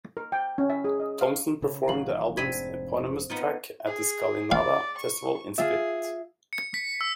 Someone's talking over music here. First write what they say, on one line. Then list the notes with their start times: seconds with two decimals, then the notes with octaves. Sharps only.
Thompson performed the album's eponymous track at the Skalinada festival in Split.
0.17 A#4
0.32 G5
0.58 C#4
0.70 E5
0.85 G#4
1.00 D#5
1.21 F5
1.62 C#3 C#4
1.88 A1 D#3 F#3 F5 F#7
2.37 F1 G#2 C4 D4 B5 G#6 B6 D#7
3.30 B3 D#4 F4
3.86 G#4
4.52 D5 F5
4.97 C#6
5.58 F4 G#4 E5
6.53 C#7
6.74 B6
7.01 E6